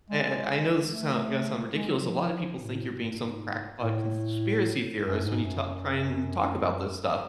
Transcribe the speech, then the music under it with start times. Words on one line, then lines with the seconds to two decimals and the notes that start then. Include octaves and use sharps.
a a I know this'll soun gonna sound ridiculous, a lotta people think you're being some crackpot conspiracy theorist when you tal try and talk about this stuff.
0.10 G#3
0.92 A3
1.74 G#3
1.88 F#3
2.02 F3
2.56 A2
2.98 G#2
3.80 A2
5.03 F#2
5.23 G#2
5.44 F#2
6.58 F2
6.67 F#2